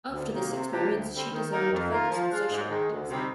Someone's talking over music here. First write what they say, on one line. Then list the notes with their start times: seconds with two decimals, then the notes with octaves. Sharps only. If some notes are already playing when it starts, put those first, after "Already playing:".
After this experience, she decided to focus on social activism.
0.12 D2
0.31 C3 D#3 A#3
0.51 C3
0.70 F3 A#3 D4 G4
0.90 D2
1.11 D3 G3 C4
1.30 D#3
1.51 A#3 D#4 A#4
1.71 F2
1.90 D#3 A#3 F4 A#4
2.09 F3
2.29 G#3 D4 F4
2.50 G#2
2.69 D#3 G#3
2.89 D2
3.09 C3 G3 C4 D#4